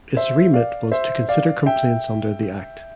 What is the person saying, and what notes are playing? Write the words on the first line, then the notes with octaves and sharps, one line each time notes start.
Its remit was to consider complaints under the Act.
C5 E5
D5 F5
C5 E5
D5 F5
E5 G5